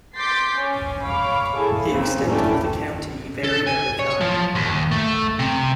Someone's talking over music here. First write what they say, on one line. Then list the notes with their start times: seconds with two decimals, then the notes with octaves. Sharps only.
The extent of the county varied over time.
0.16 C6 D6 G6 A6 B6 C7
0.58 C#4
1.04 C#5 F5 B5 D6
1.57 E4 G#4 A4
1.90 C#3 A#3 C4
2.25 A3 A#3 C#4 D4 E4 G4
3.44 A4
3.67 G#5
3.99 C#5
4.21 F3
4.55 D#2
4.91 A3
5.39 C3